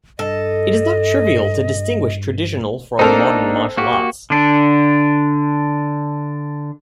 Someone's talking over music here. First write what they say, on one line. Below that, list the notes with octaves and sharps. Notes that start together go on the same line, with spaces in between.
It is not trivial to distinguish "traditional" from "modern" martial arts.
G2 A4 D#5
A#3 C4 D4 D#4 A4 A#4
A#3 F#4 G4
D3 D4